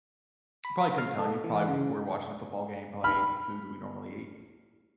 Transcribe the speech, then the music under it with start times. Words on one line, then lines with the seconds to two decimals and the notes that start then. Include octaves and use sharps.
probably couldn't tell you. Probably we're watching a football game, probably ate the food that we normally eat.
0.65 B5
0.98 F5
1.19 A4
1.44 E3
1.68 C#3
3.04 B5 F6